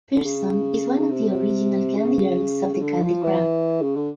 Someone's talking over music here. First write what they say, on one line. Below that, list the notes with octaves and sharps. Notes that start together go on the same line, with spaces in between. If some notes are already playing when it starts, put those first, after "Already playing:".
Pearson is one of the original Candy Girls of the "CandyCrib".
D3
C#3
C#3
C3
C#3
C#3
D3
F3
E3
C#3
D3